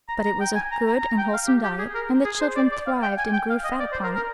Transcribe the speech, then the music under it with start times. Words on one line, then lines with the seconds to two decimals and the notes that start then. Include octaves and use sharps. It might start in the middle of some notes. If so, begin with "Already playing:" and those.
But it was a good and wholesome diet, and the children thrived and grew fat upon it.
0.09 A#5
0.24 A#5
0.40 G5
0.55 G#5
0.71 A#5
0.86 A#5
1.02 A#5
1.18 G5
1.33 F5
1.48 G4
1.64 G4
1.79 G#4
1.95 A#4
2.25 G#4
2.41 C5
2.56 D5
2.72 D5
2.87 F5
3.02 G5
3.18 G#5
3.33 G5
3.50 F5
3.64 D#5
3.80 D5
3.92 C5
4.03 A#4
4.16 A#4